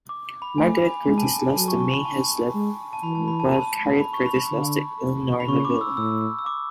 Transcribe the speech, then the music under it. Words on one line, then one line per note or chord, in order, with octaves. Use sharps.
Margaret Curtis lost to May Hezlet while Harriot Curtis lost to Elinor Neville.
D6
B5
A3 G#5
B5
G#5
G#3 G#5
A5
G#5
A5
F#3 A5
C#6
C#6
B5
A5
G#3
A5
E3 B5
A5
B5
A5
A5
B5
C#6
B5
D3
B5
C#3 C#6
D6
E6
A2 E6
E6
D6